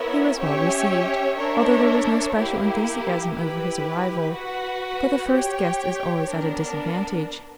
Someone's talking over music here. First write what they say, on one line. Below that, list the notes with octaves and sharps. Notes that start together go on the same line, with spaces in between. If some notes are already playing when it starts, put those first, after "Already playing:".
He was well received, although there was no special enthusiasm over his arrival; but the first guest is always at a disadvantage.
Already playing: B3 E4 A#4 C#5 E5
C#4 G4 C#5 E5 G5
D4 A#4 C#5 E5
A#3 E4 G4
E4 G4 B4
F#4 B4 F#5
G4 C#5 G5
B3 D4 A#4